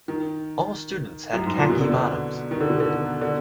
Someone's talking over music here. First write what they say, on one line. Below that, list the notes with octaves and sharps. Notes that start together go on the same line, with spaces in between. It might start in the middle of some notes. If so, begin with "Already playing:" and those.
All students had khaki bottoms.
D#3
F#2
G#2
A#2
B2
D3
B2
D#3
D3
B2
D3
D3